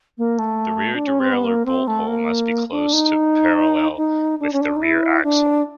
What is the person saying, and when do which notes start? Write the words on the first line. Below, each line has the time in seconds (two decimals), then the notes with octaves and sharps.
The rear derailleur bolt hole must be close to parallel with the rear axle.
0.18 A#3
0.39 A3
0.94 D4
1.07 C#4
1.19 C4
1.32 B3
1.44 A#3
1.66 C4
1.87 A3
2.07 A#3
2.71 D4
2.93 D#4
3.97 D#4
4.40 D4
4.53 C#4
4.61 D4
4.76 D#4
4.82 E4
5.24 D4